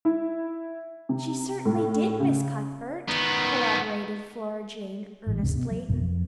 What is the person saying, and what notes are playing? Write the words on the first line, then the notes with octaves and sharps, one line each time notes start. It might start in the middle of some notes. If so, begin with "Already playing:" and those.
"She certainly did, Miss Cuthbert," corroborated Flora Jane earnestly.
E4
C3
A2
C#3
D#3 B3
A1 G#2
G1 D2 C3
B2
F#3
G#1 F2 B2 F#3
F2